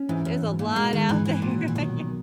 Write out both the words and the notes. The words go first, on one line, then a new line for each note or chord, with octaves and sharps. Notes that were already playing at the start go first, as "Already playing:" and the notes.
There's a lot out there, yeah.
Already playing: C#4
G#2 E3
F#2
G#2
A#2
B2 G#3
D#3
G#2 E3
E3
A#2 F#3
E3
B1 D#3